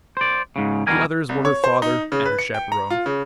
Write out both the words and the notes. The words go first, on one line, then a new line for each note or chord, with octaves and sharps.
The others were her father and her chaperone.
C5 D5
G#2 C#3
E2 B2 G3 A#4 G#5
C2
C#5
C5
D#4
C#3
B4
C#7
G5
A#5
F4
C#3